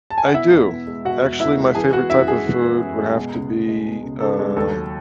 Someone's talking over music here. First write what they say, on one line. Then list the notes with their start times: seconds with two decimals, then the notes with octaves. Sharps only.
I do. Actually, my favorite type of food would have to be, uh
0.10 A5
0.18 G#5
0.27 F#5
0.34 B2 E4 E5
0.52 E2
0.70 E2
0.87 G#3
1.05 B2 F#4 F#5
1.23 E2
1.40 E2 E4 E5
1.58 G#3
1.75 E3 G#4 G#5
1.92 B3 F#4 F#5
2.10 F#2 E4 E5
2.28 G#3 G#4
2.46 E3
2.64 B3
2.81 F#2
2.99 G#3
3.15 B2
3.34 C#2
3.50 C#2
3.68 G#3
3.86 B2
4.03 C#2
4.20 C#2 A4
4.39 G#3
4.57 D#2 A4
4.73 F#3